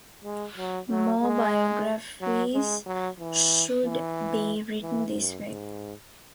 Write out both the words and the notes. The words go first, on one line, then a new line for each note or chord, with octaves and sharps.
More biographies should be written this way.
G#3
F#3
F#3
G#3
F#3
G#3
F#3
E3
E3
E3
F#2
G#2